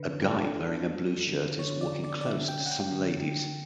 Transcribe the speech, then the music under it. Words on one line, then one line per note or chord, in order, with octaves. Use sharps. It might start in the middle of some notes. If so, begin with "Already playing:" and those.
A guy wearing a blue shirt is walking close to some ladies.
Already playing: D3 B4
G4
D4 A4
D4
G3
D3
D3 C#5
D5
D3
D5
D5
D3 E5
G5
C#4
F#5
G5
D3
D3